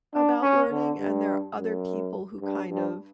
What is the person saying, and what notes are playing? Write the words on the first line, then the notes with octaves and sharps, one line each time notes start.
about learning, and there are other people who kind of
D4
C#4
D3
G2
F#2
G2
G2